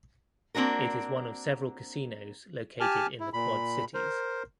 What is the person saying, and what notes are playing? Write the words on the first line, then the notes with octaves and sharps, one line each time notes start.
It is one of several casinos located in the Quad Cities.
A#3 C4 D4 F#4 A#4
G4 G#5 A5 F6
E4
A#2 B5
A#4 C5